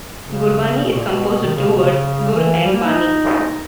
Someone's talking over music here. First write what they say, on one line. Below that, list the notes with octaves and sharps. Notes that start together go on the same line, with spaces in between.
Gurbani is composed of two words: 'Gur' and 'Bani'.
C#3
B2
A#2
B2
D#3
C#3
B2
C#3
E3
G3
A#3
D#4